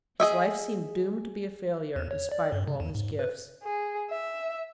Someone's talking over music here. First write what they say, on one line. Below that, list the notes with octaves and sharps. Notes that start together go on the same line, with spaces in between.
His life seemed doomed to be a failure, in spite of all his gifts.
G#4 D#5 E5
E2
C#5
D5
G2
C#3
E2
G#2
B4
G#4
E5